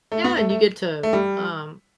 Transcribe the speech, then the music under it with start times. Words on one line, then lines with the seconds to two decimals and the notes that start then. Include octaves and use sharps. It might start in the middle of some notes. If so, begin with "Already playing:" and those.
Yeah, and you get to, um
0.12 A3
0.24 B3
0.37 A3
0.50 A3
1.03 A3
1.13 G3